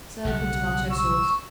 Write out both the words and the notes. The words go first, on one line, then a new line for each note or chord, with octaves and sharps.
Serve with tomato-sauce.
B1 C#3 G3 F#5
C#6 E6